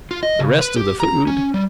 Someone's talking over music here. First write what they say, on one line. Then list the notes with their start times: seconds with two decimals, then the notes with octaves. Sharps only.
"The rest of the food?"
0.11 F4
0.23 D#5
0.40 C#3
0.61 B4
0.76 G4
1.00 A#5
1.27 C#4
1.54 G3